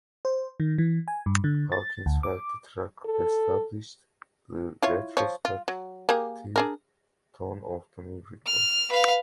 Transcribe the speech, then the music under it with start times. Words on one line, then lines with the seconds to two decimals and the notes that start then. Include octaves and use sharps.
Hawkins felt the track established the retrospective tone of the new record.
0.25 C5
0.60 D#3
0.78 E3
1.08 G#5
1.26 G2
1.44 D3
1.72 A6
2.06 D2
2.23 D6
3.05 A4
4.82 E4 F4 C#5
5.17 F3 C#5
5.45 F4
5.68 F#3
6.09 A#3 G4 G#4
6.56 D4 G#4 A#4
8.46 F6
8.89 B4 F5